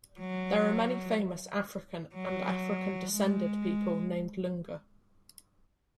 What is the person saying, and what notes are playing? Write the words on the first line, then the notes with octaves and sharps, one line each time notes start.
There are many famous African and African-descended people named Ilunga.
F#3
F#3
G#3